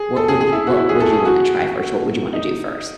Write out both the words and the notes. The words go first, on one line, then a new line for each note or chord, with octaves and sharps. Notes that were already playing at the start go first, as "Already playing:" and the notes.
what would y what would you wanna try first? What would you wanna do first?
Already playing: G#4
A4
G#4
G#4
E4
F#4
E4
G#4
A4
G#4
F#4
D#4